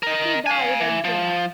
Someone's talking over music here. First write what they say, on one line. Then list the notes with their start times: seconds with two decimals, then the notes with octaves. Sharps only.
He died at Jena.
0.03 A#4 D#5
0.46 F5 G#5
0.81 E3
1.04 F3